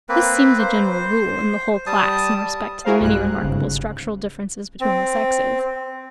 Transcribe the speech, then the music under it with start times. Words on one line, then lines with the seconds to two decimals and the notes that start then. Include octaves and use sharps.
This seems a general rule in the whole class in respect to the many remarkable structural differences between the sexes.
0.09 A#3 C4 B4
0.59 C5
1.87 G3 A5 D#6
2.85 E4 F#4 G#4 A#4 C5 F5
3.00 B1 G2 G3 F#6
3.42 G1 G#2 C#3
4.81 C4